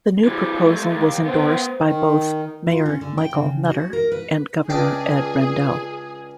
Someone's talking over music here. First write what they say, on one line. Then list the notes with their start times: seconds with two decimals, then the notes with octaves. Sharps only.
The new proposal was endorsed by both Mayor Michael Nutter and Governor Ed Rendell.
0.25 E3 G3
0.64 G#3 A3
0.90 D#2
1.25 B3 C5
1.83 D#3
2.69 F4
2.86 C#4
3.01 D3
3.18 G5
3.34 C#3
3.65 F#4
3.93 A#4
4.12 B4
4.70 C#2 D4 G#4 G5